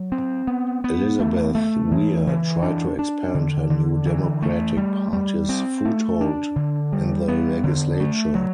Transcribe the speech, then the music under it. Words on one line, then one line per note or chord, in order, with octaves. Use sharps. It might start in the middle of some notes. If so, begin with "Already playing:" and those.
Elizabeth Weir tried to expand her New Democratic Party's foothold in the legislature.
Already playing: F#3
C4
B3
B3
A3
A3
E3
E3
D4
D4
D3
D3
E3
A3
G3
G3
C4
A3
D4
D3
G3
B3
D3
A3
F#3